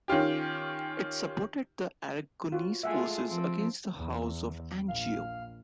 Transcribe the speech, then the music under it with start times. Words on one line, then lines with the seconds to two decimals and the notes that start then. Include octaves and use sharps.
It supported the Aragonese forces against the House of Anjou.
0.08 D#3 C#4 F4 G4
2.52 F4 F#4
2.83 G#3 A3 F4 E5 F#5 G#5
3.28 F3 C4
3.96 E2
4.88 A#1 F5